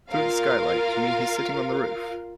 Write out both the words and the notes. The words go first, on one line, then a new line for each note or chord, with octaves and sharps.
Through the skylight? You mean he's sitting on the roof?
F4 A#4 F5